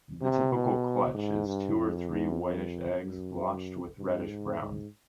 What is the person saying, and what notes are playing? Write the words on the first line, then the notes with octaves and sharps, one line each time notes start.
The typical clutch is two or three whitish eggs blotched with reddish brown.
C3
B2
G#2
G2
F2
E2
F2
F#2
G2
G#2
G#2